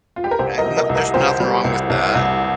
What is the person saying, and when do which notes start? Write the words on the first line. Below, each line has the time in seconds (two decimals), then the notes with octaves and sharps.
Okay, well there's nothing wrong with that.
0.16 F4
0.24 G4
0.31 A#4
0.39 C2 G4 C5
0.58 A#4 D#5
0.65 C3
0.77 A#4 D#5
0.89 C2
0.96 A#4 D#5
1.14 C2 G4 C5
1.40 G3
1.64 C2
1.90 C2
2.15 C2